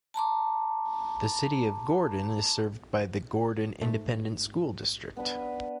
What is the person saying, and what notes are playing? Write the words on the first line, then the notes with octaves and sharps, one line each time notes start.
The City of Gordon is served by the Gordon Independent School District.
A5 A#5 C6 D6
G#2 A3
B3 D4 B4